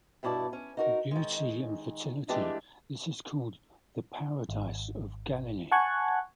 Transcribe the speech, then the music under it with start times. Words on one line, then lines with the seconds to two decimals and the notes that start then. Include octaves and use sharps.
For beauty and fertility this is called "the Paradise of Galilee".
0.23 G2 B2 E4 D5 A5
0.53 C#4
0.77 D#4 F#4 A#4
1.11 D#3 G#3
2.28 E3 G#3 A3 D4 G4
4.49 G#1
5.71 F#5 G#5 A5 C#6 F#6 G#6